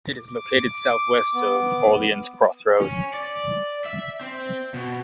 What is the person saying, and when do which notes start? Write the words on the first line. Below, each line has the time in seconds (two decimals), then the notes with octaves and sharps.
It is located southwest of Orleans Cross Roads.
0.19 D6
1.34 B3
2.81 C#4
3.13 D5
3.86 E5
4.21 C4
4.74 B2